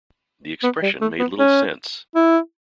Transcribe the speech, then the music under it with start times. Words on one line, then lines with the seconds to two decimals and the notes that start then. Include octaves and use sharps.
The expression made little sense.
0.64 B3
0.83 G3
1.01 A3
1.19 B3
1.39 C#4
2.15 E4